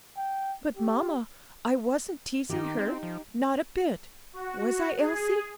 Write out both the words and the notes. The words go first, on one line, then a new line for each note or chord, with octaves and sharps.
But, mamma, I wasn't teasing her, not a bit; was I, Elsie?
G5
G4
D#3 D#4 G4
C4
F3
F#4
G#4